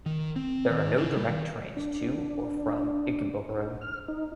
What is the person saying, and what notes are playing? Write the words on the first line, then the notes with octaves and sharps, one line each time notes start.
There are no direct trains to or from Ikebukuro.
D#3
C4
D#3
C#3
G3
D#3
D4
F6
D#4